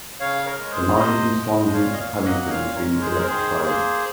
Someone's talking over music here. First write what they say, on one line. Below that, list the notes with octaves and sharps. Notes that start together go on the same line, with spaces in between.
The line from Swansea to Paddington is being electrified.
C#3 C#5 F5
A#4 C#5
G#3
G#4 C5
C3 C5 D#5
F3 G#3
D#5
A#2 C#5 F5
D#5
C#5 F5
F#3 A#3
D#5 F#5
D#5
A#2 C#5 F5
A#4 C#5
G#3
G#4 C5
A#4
D#3 G#4 C5
A#3 G#4 C5